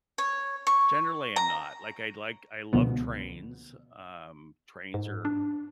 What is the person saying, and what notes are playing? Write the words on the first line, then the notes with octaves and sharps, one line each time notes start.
generally I'm not. Like, I'd like I love trains, um, trains are
C#5
C#6
A#5
C#2 B2 D3 F3 B3
G#2
D4